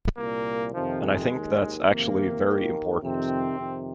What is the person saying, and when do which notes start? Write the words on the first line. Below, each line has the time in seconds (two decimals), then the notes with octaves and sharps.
And I think that's actually very important.
0.16 C2 A#2 A#3
0.73 F2 C3 D#3 F3
1.02 G#3
1.30 D#2 D#3
1.87 F2 C3 D#3 A#3
2.45 D#2 D#3
3.01 F2 C3 D#3 C4
3.58 F2 C3 D#3